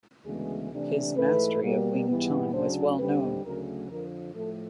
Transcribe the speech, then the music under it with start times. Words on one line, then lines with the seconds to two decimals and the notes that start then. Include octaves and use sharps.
His mastery of Wing Chun was well known.
0.25 D2 C#3 E3 G#3 B3 G#4
0.70 C3 E3 A3 D4
1.16 G#2 E3 A3 B4
1.62 B2 G3 A#3
2.07 G#2 E3 G3 B3
2.53 D2 C#3 F#3 A3 D4 C5
2.99 D#2 D3 G3 C4 B4
3.44 D2 C#3 F#3 A3 A#4
3.89 F2 D3 F3 A#4
4.35 A2 F3 A3 A4